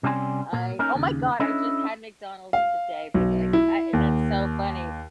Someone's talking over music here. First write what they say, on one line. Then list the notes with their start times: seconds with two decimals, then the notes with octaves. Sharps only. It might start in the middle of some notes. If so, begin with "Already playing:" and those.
I oh my God, I just had McDonald's today for the, like uh, that's so funny,
0.03 C3 G3 C4 C#4 G#5 C6
0.53 A#2 A#3
0.79 A#3 C#4 D#4 A#4
0.95 D#2 C#3
1.40 C#4 D4 E4 A4 C#5 D#5
2.53 F5
3.14 B1
3.53 E4
3.93 D#2